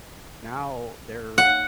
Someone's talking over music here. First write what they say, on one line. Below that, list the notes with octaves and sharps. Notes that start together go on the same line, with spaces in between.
now they're
F#5